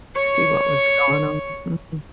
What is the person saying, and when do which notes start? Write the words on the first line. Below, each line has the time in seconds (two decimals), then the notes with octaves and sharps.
See what was going on. Mhm.
0.15 C#5 C#6